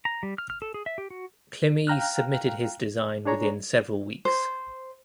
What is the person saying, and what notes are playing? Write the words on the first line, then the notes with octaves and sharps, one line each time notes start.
Climie submitted his design within several weeks.
A#5
G3
F6
F6
A4
G#4
E5
G4
F#4
F5 G5 A#5 F6 F#6
D4 G#4 C#5 A#5
C5